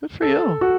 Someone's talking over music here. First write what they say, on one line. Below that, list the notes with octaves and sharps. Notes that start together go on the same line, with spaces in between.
Good for you.
A4
F#4